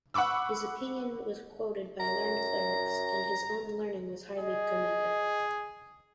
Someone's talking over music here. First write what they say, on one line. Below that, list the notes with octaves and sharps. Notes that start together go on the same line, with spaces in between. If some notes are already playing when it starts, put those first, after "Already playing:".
His opinion was quoted by learned clerics, and his own learning was highly commended.
F#5 B5 C#6 D6 E6
F#2 A#5
G#4 D#5